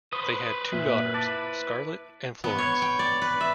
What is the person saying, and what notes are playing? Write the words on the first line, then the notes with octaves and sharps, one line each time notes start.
They had two daughters-Scarlet and Florence.
B4 C5 B5 C#6 D#6
A#2 E5
E4 A5 D6 A6
B3
C#5
G5
D5
B4
E5